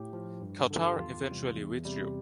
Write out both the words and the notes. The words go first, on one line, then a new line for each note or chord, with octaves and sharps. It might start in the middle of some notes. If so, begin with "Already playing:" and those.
Qatar eventually withdrew.
Already playing: A2 G4
F3
G2
D3 F3 A4
G4
E2 F4
C3 E3 G3
E2
C3 G3